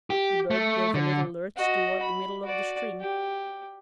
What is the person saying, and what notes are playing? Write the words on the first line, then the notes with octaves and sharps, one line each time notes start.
The boat gave a little lurch toward the middle of the stream.
G4
A3
D3
F#4 D#5
B5
F#4 D5
G4